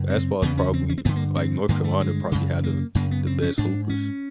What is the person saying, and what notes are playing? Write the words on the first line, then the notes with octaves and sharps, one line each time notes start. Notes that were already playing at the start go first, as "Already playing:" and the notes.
basketball is probably like, North Carolina probably had the the best hoopers.
Already playing: F#2 C#3
C4
E2 C#3 B3
C#4
C4
C#4
C4
G2 D3 B3
A#3
C4
G2 D3 A#3
A3
G#3
F#2 C#3
A#3
F#2 C#3 A#3
B3
C4
C#4
G#2 D4
C#4